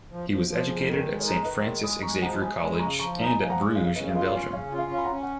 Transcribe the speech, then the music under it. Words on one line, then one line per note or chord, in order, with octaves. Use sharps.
He was educated at Saint Francis Xavier College, and at Bruges in Belgium.
F3
F3
F3
F2 G#4
D#3 A#4
G#4 B4
G#3
A#4 C#5
D#4
D#3 B4 D#5
G#3
G#3 B5 D#6
G#3 A#5 C#6
F3 F#5 A#5
G#3 G#5 B5
G#3 G#5 B5
B5
C#3 A#5 C#6
F3 A#5 C#6
D#4
G#5 B5
F3 G#5
F#5 A#5
G#3
C#3 C#5 F5
C#3 B4 D#5
F5
F4 B4 D#5
C#4 C#5 F5
C#3 C#5 F5
F4
F5 G#5
C#4
B5
F#5 A#5
C#4
F#5